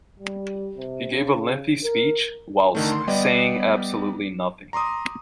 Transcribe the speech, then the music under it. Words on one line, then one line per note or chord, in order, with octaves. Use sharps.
He gave a lengthy speech, whilst saying absolutely nothing.
G3
C3
C#3
A#4
D3 D#3 A3
C6
G3 B3 G4 D5 D#5
A#5 C6 D6 D#6